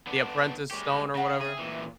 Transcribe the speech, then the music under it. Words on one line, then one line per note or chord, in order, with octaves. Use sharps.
The Apprentice Stone or whatever?
B3 D4
G#3 G4 A#4 C#5
C#3 B4 F#5 A#5
C4 G#4 E5
A#2 E3